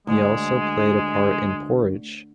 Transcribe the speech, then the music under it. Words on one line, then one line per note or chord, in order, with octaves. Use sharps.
He also played a part in "Porridge".
D2 G#3